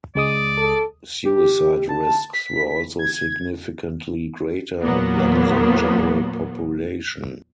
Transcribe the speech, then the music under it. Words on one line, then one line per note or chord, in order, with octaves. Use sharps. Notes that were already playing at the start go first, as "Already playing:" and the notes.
Suicide risks were also significantly greater than the general population.
C#2 G#3 D5 D#6
A4
G4
A5
B6
G#6
E2 A#2 F#3 A#3 B3